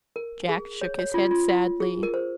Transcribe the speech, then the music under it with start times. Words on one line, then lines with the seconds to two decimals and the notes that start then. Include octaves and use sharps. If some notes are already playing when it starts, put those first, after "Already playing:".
Jack shook his head sadly.
0.16 A#4
0.49 G#4
0.81 C#5
0.99 C#5
1.14 F4
1.31 F4
1.48 F4
1.80 G#4
2.03 A#4
2.14 C5